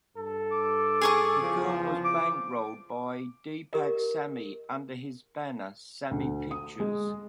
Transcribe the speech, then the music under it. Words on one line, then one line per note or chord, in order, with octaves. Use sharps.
The film was bankrolled by Deepak Sami under his banner Sami Pictures.
G2 A4
D6
G#4 C#6 D#6
E2 C#3 F3
D6
G4 A#4 D#5
D2
D#6
G#3